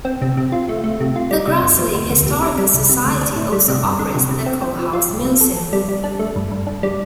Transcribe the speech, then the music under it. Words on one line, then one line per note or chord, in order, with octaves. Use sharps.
The Grass Lake Historical Society also operates the Coe House Museum.
C4
C3
C3
F4
A3
A3
C3
F4
G3
C3
G1
F3
D2
D2
C3
C3
G3
C2
C3
D2
D4
A2
G3
C3
G2
D3
C3
C3
C4
C4
F3
F4
C2
C3
A4
A4
G3
G3
D4
A3
G2
G2
D4
G3